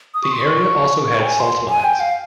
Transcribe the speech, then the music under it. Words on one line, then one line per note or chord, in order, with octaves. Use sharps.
The area also had salt mines.
D#6
C#6
C6
C#6
G5
G#5
C6
G#5
G5
F5